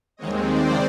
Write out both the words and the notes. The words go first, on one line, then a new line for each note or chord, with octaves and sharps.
Oh, yeah.
D#2 D#3 G#3 C4 C#5 D#5
C5 D5